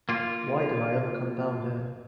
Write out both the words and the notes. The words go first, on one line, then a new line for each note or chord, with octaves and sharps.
Why did I ever come down here?
A#3 F4